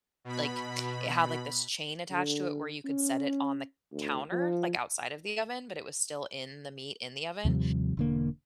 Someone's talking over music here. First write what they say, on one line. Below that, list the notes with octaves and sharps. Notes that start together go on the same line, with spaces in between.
like, it had, like, this chain attached to it where you could set it on the counter, like, outside of the oven, but it was still in the meat in the oven,
B2 B5
D3
C#4
D2
F3
D#2 C3 F3 G3
E1 D3 A#3